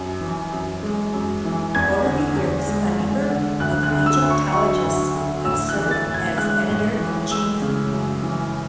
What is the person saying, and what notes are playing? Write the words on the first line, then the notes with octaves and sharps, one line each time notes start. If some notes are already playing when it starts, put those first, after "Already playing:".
Over the years a number of Egyptologists have served as editor-in-chief.
Already playing: F#2
E3
F#2
G#3
F#2
E3
E2 G#6
D3
E2
G#3
E2
D3
D2 F#6
F#6
D3
E6
D2
C#6
F#3 C#6
D2
D3
A2 E6
F#6
E3
A6
A2
G#6
G#3 F#6
A2
E3
G#3 E6
C#3
F#2
E3